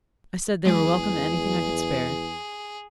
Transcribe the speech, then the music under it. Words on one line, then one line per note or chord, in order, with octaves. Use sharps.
I said they were welcome to anything I could spare.
E2 F#3 G#3 G#4